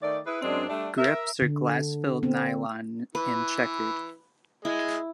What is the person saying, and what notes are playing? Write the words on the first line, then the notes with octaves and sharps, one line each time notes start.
Grips are glass-filled nylon and checkered.
D#3 A3 D5
E4 G#4 B4
F#2 G#3 C4 D4
G3 A3 D4
A#4 E5
D3
C4
E3 B4
G#3 E4 G#4 D#5